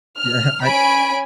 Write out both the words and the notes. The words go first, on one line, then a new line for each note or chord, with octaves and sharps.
Yeah, I
F6
C#4 G#5 B5 D7